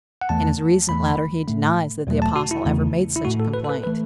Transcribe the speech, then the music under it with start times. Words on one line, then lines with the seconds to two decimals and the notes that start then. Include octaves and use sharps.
In his recent letter he denies that the apostle ever made such a complaint.
0.21 F#5
0.29 E2 E3 A3 A5
0.89 E2 E3 A3 B5
1.48 A2 A3
2.07 E2 B2 F#3 A3
2.22 A5
2.36 F#4
2.51 E4
2.65 E2 C#3 E3 A3
3.16 E4
3.25 A2 A3 F#4
3.40 A4
3.54 B4
3.64 A4
3.69 B4
3.83 B4
3.86 E3 A3